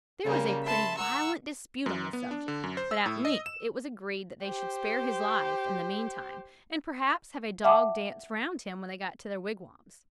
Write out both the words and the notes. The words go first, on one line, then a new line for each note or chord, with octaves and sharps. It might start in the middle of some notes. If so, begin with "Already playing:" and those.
There was a pretty violent dispute on the subject; but at length it was agreed that they should spare his life in the mean time, and perhaps have a dog-dance round him when they got to their wigwams.
C#3 G3 A#3
E5 A5 B5 C6
F#5 A#5 C#6 E6
F#2
B3
D4
D3
F#2
C5
E6
A2
D#5
E7
G4 C5
E5 F#5 A5 D6